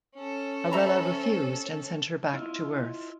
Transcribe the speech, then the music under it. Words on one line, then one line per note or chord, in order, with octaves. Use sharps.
Arella refused and sent her back to Earth.
C#4 A4
C5 E5 A#5 B5
E4 F4 D#5